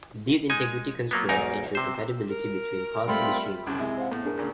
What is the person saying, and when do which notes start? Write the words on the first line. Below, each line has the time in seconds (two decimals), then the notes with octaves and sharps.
These integrity constraints ensure compatibility between parts of the schema.
0.50 G#3 D#4 G#5
1.11 F#3 A#3 B3
1.29 B1 E2 G#2 D#4 A#4
1.75 C3 C5
2.28 A#4
3.07 G3 A3 C4 F4 B5
3.67 C2 F#2 C#3
3.79 C3 G#3 E4
3.98 C5 F5 F#5
4.12 A2 B3
4.25 D4 G#4 A#4
4.37 D2 A#2 C#3